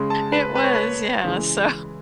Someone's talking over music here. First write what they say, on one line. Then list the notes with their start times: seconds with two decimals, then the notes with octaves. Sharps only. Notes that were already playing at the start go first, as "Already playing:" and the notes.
it was, yeah, so,
Already playing: C#3 G#3
0.10 A5
0.32 B4
0.55 B4
0.64 C#5
0.74 B4
1.24 C#3 E3 G#3